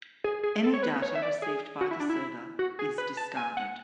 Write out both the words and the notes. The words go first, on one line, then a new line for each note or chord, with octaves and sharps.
Any data received by the server is discarded.
G#4
G#4
A4
C#5
B4
C#5
E5
D5
G#4
F#4
E4
D4
E4
F#4
G#4
B4
A5
G#5
F#5